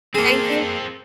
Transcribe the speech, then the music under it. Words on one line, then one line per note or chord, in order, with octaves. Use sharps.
thank you
A#3 C4 G#4 A4